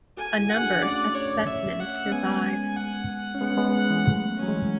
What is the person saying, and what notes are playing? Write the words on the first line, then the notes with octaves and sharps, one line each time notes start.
A number of specimens survive.
F#4 A4 G#5
E4 G#4
F#5
D4 F#4
D4
A3 C#4 D5
C#5
E5
F#5
C#4
G#3 B3 G#5
F#5
C#4
G#3 B3 F#5
C#4
G#3 B3
F#5
E3 G#3
B3
F#3 A3
F#3 C#4
E3 G#3